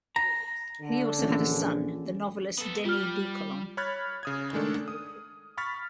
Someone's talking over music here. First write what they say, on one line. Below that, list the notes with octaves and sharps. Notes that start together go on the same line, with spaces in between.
He also had a son, the novelist Denis Boucolon.
A#5
D3
A#1 E3 C#4
B3 A4
G3 F4 G4 F6
C#5 B5 F6 F#6 G#6 A6
C#3 D#6 G#6
D#3 G#3 A3 D4 A4
D#6
B5 C#6 F6 A6 B6